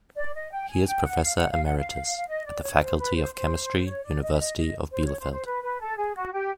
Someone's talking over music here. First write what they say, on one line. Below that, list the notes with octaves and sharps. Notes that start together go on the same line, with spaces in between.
He is Professor Emeritus at the Faculty of Chemistry, University of Bielefeld.
D5
D#5
G5
G#5
G5
F#5
F5
F#5
F5
F#5
F5
D#5
D5
C#5
C5
B4
C5
C5
C#5
D5
D#5
E5
D#5
D#5
C5
C#5
C5
C5
B4
B4
A4
G#4
F#4
G4